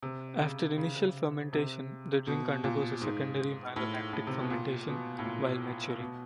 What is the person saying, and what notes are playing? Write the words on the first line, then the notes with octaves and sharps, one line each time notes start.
After initial fermentation, the drink undergoes a secondary malolactic fermentation while maturing.
C3
C#3
C#3
C3
B2
A#2
G#2
A2
A2
C3
B2
A#2
B2
A2
A#2
B2